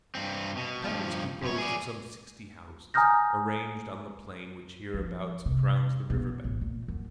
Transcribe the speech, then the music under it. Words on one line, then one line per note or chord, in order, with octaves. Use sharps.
The town is composed of some sixty houses, arranged on the plain which hereabouts crowns the river-bank.
G2 C4
B2
G2 F3
F#2 C#5
G#4 D5
G#5 A#5 D#6 F6 G6 A#6
F3
C3
B2
A1
A#2
F#2